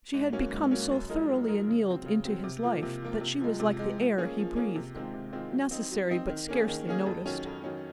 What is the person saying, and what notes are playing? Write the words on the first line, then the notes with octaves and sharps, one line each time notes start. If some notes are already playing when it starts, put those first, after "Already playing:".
She had become so thoroughly annealed into his life that she was like the air he breathed--necessary but scarcely noticed.
G#2
F#3 A#3 C#4
G#2
F#3 A#3 C#4
F#2
F3 G#3 D#4 A#4
F#2
F3 G#3 D#4 A#4
C#3
F#3 C4
C#3
F#3 C4
C3
F3 A#3 F4
C3
F3 A#3 F4
C3
F3 G#3
C3
F3 G#3
F3
A#3 C#4 G#4
F3
A#3 C#4 G#4
C3
D#3 G#3 C4 F4
C3
D#3 G#3 C4 F4
F#3
C4 D#4
F#3
C4 D#4
D#3
A#3 C#4 G#4
D#3
A#3 C#4 G#4
F2
D#3 F#3 C#4
F2
D#3 F#3 C#4